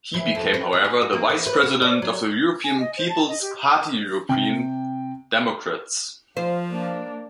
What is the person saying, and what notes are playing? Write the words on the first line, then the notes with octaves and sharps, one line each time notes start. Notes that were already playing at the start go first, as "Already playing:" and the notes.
He became, however, the Vice-President of the European People's Party-European Democrats.
E3
F2
B4
B3
G#4
F#4
A#3
E3
B4
F#4
D5
F#3
G#5
D#5
C5
A5
D#5
G4
C3 G5
F3 C5
A#3 D4